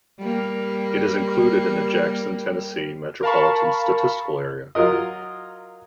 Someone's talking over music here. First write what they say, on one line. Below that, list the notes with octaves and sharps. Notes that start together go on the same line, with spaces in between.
It is included in the Jackson, Tennessee Metropolitan Statistical Area.
G3 A#3
A#4 F5 A5 B5 C#6
F#3 F4 A#4 D#5